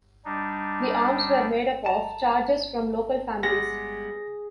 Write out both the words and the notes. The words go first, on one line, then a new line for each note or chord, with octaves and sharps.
The arms were made up of "charges" from local families.
G3 D4 D#4
A5 A#5
G3 G#3 B3 G#4 A#6